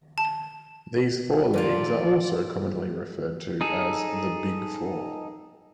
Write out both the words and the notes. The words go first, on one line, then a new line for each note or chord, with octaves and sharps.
These four leagues are also commonly referred to as the "Big Four".
A5
F2 A#2 D3 D#3 F4 A4 D5
D#4 G#4 A4